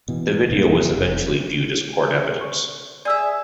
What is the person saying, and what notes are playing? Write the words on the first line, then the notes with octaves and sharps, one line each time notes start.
The video was eventually viewed as court evidence.
B2 E3
D#1 C2 F#2 A#3
F#1
F1
C#6
G#4 D5 E5 E6